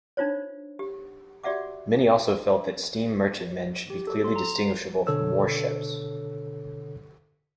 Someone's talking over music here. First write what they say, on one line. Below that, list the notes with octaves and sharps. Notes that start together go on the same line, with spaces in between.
Many also felt that steam merchantmen should be clearly distinguishable from warships.
D4 D#4 F4 C5 C#5
G4
F#4 G4 D5 E5 F#5 D6
G4
A4
C6
A#5
C7
B2 D3 A4 C#5 E6